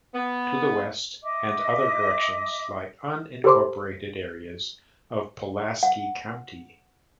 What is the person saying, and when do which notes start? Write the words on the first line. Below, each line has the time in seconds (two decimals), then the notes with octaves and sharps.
To the west and other directions lie unincorporated areas of Pulaski County.
0.14 B3
1.24 D#5 E5 D6
3.44 G4 A4 A#4 C5 C6 D6
5.83 F#5